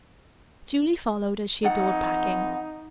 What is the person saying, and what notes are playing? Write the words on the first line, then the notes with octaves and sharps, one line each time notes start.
Julie followed, as she adored packing.
F2 D#4 F#5